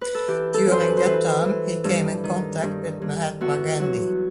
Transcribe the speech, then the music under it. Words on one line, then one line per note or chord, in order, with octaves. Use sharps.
During that time he came in contact with Mahatma Gandhi.
B4
A4
E3 G4
A4
F#2 C5
B4
C5
E3 B4
E3
G2 A4
D#3
G2
G2
E2 F#4
F#3 F#4